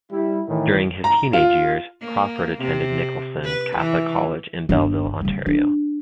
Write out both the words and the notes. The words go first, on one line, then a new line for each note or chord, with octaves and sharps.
During his teenage years, Crawford attended Nicholson Catholic College in Belleville, Ontario.
G3 E4
A2 D#3 E3
A#5
F4
A#3
C3
B4
E3
G1
C#3 G3
D4